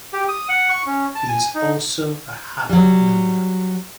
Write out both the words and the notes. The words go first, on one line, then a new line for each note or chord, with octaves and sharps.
It is also a happy number.
G4
D#6
F#5
C#6
C#4
A5
G#5
D#4
F#3 G3